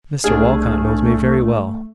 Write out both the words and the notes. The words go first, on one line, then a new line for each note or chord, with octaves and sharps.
Mr Walcot knows me very well.
C2 A3 D4 G#4 F6